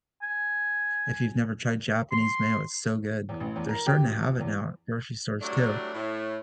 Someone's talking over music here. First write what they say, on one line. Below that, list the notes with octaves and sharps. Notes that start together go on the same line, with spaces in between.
if you've never tried Japanese mayo, it's so good. They're starting to have it now at grocery stores too.
G#5
C6
E2
A1
E2
A#4
G4
D#1
E2
A2 F#3 G3 A3 D4
A2